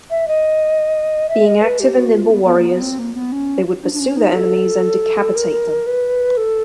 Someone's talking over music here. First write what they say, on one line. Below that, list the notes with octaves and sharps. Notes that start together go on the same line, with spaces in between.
Being active and nimble warriors, they would pursue their enemies and decapitate them.
E5
D#5
E5
D#5
B4
G4
F#4
F4
B3
B3
A#3
B3
C4
A#3
B3
C#4
D4
D4
C#4
D#4
A4
A#4
B4
A4